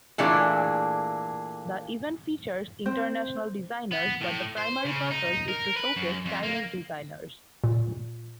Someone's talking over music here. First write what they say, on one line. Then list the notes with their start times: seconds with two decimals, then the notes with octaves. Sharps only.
The event features international designers but the primary purpose is to showcase Chinese designers.
0.18 A#2 E3 A3 A#3 D4 G#4
2.86 C4
3.91 B3
4.22 A2
4.58 C5
4.85 C#3
5.11 D#4
5.48 A#4
5.76 B4
5.96 F#2
6.25 F2
6.43 A#3
7.64 A#2